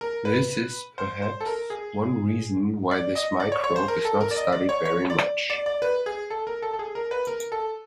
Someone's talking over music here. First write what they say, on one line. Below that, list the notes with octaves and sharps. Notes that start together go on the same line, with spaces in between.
This is perhaps one reason why this microbe is not studied very much.
A#4
B4
C5
C5
A4
A#4
G#4
D5
D#5
D5
C#5
C#5
C5
A#4
A4
A#4
D5
D#5
D5
C#5
C#5
D5
D5
D5
B4
G#4
A4
A#4
A4
A4
G#4
A#4
B4
A#4
A4